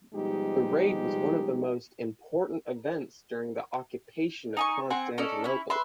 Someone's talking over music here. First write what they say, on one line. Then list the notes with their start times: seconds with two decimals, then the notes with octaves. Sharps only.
The raid was one of the most important events during the Occupation of Constantinople.
0.14 B2 F3 G3 G#3 D#4 G4
4.57 D#4 G#5 C#6
4.90 C4 F#5 G#5
5.18 C#4 D#4 A4 D5
5.44 C#4 E4
5.70 B4 E5 C6